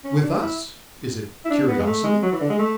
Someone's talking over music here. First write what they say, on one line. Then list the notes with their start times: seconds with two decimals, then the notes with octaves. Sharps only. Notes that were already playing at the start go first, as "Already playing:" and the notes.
With us is it curiosity?
0.04 C#4
0.23 D4
0.41 E4
1.45 E4
1.50 D4
1.68 B3
1.79 G#3
1.86 A3
2.04 G#3
2.22 F#3
2.32 E3
2.41 D3
2.49 G#3
2.59 A3